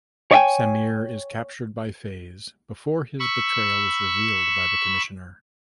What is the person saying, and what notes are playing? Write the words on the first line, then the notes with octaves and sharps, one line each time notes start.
Sameer is captured by Faiz before his betrayal is revealed by the commissioner.
C#5 D5 E5 G5 G#5
B5 C#6 E6